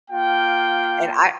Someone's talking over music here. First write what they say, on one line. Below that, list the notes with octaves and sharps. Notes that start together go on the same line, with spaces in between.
And I
A#3 F4 G5